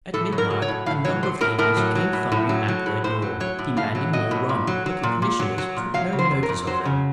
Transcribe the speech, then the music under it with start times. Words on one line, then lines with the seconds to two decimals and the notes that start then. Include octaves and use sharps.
At midnight, a number of the Indians came thundering at their door, demanding more rum; but the commissioners took no notice of them.
0.14 A2 A4
0.32 F#3
0.38 A#4
0.50 F#3
0.62 C#5
0.68 A2
0.86 A2 F5
1.04 F#3 C#5
1.23 F#3 C5
1.41 A2 A#4
1.58 A2 A#4
1.77 F#3
1.95 F#3
2.13 A2
2.32 A2
2.49 F#3
2.68 F#3
2.86 A2
3.04 A2 C5
3.22 F#3
3.40 F#3 C#5
3.59 A2
3.77 A2 F5
3.95 F#3
4.13 F#3 D#5
4.31 A2
4.49 A#2
4.67 F#3
4.86 F#3
5.03 A#2
5.22 A#2
5.40 F#3
5.58 F#3
5.77 A#2
5.94 F#3 F5
6.13 C#3
6.19 C5
6.31 F2
6.43 A#4
6.49 F2
6.67 F#3 C5
6.85 C#3